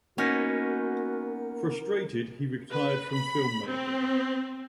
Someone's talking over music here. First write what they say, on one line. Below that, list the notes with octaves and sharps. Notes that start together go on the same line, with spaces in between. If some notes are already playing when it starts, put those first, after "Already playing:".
Frustrated, he retired from filmmaking.
A#3 B3 C#4 D#4 F#4 A#4
B4
B5
C4